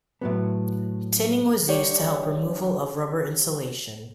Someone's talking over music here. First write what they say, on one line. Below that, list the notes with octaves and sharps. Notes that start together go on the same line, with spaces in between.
Tinning was used to help removal of rubber insulation.
A2 F#3 B3
D3 G3 G4 C#5 E5